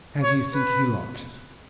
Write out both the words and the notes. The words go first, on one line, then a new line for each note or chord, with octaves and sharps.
How do you think he likes it?'
C#5
B4